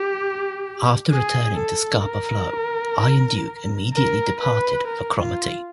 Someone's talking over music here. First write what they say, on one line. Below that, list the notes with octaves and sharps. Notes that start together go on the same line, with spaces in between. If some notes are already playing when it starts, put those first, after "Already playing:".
After returning to Scapa Flow, "Iron Duke" immediately departed for Cromarty.
Already playing: G4
G#4
A4
A#4
A#4
B4
A#4
F4